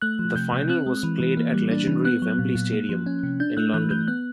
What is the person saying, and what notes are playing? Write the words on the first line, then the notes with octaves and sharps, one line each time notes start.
The final was played at legendary Wembley Stadium in London.
A3 F#6
F3
C3 G6
C3
C4 F#6
G#3
E3
E3
A#3
G3
D4
E3
B3 F#6
F#3
A#2
A#2
A#3
F3
C#4
C3
D4 G6
A3 F#6
E3 F#6
E3 G6
B3 F#6